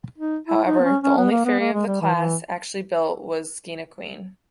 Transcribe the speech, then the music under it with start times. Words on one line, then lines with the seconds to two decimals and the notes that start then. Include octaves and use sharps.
However, the only ferry of the class actually built was "Skeena Queen".
0.18 D#4
0.47 E4
0.65 D#4
0.79 B3
0.84 C#4
1.03 C#4
1.17 B3
1.31 A#3
1.45 B3
1.59 A#3
1.73 G#3
1.87 G3
2.01 E3
2.15 E3